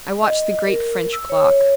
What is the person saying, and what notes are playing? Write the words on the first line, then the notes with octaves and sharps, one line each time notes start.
I watched the great French clock.
D#5
A#4
E6
C#5